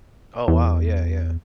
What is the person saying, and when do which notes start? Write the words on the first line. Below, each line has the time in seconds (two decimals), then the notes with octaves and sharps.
Oh, wow, yeah, yeah.
0.48 E2